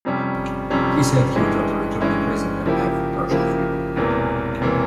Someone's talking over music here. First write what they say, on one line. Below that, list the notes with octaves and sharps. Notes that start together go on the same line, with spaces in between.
He said he would rather return to prison than have partial freedom.
F2 C3 G3 C#4
F2 C3 G3 C#4
G2 E3 G#3 C#4 E4
G2 E3 G#3 C#4 E4
C#3 F3 A#3 E4 G4
C#3 F3 A#3 E4 G4
E1 E2 C3 E3 A#3
E1 C3 E3 A#3